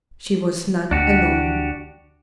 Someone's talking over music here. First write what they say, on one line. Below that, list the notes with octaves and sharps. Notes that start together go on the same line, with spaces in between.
She was not alone.
D2 D4 F#4 G4